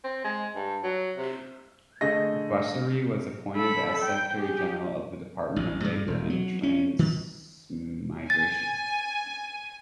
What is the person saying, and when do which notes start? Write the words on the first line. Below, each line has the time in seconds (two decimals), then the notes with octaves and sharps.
Busiri was appointed as the Secretary General of the Department of Labor and Transmigration.
0.04 C4
0.24 G#3
0.56 G2
0.83 F#3
1.17 C3
2.01 D3 A3 G#4 D#5 A#6
3.57 A4 B5
4.03 G5
4.37 G4 G#4
5.56 A1
5.85 G2
6.07 E1
6.30 F#3
6.63 C#4
6.99 D#3
8.30 G#5 A6